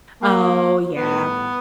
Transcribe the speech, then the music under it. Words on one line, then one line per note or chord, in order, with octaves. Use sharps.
Oh, yeah.
A#3
A2 E3 G3 B3